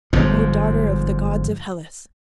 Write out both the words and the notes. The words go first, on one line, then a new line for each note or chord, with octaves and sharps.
Oh, daughter of the gods of Hellas!
G1 G#2 F3